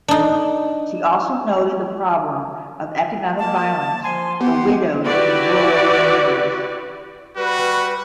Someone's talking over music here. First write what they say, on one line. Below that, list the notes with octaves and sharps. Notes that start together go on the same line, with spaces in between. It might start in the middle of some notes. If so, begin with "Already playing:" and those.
She also noted the problem of economic violence for widows in rural communities.
D4 D#4
A#3 A5
F3 G#5 C6
B3 G4 F#5
E4 F#4 G4 B4 D5
G3 F#4 B4